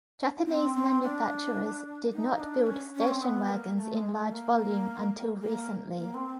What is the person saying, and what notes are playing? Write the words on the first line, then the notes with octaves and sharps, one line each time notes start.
Japanese manufacturers did not build station wagons in large volume until recently.
C4
C4
D4
D#4
D4
C#4
C#4
C4
B3
A#3
A3
G#3
A3
A#3
A#3
A#3
C4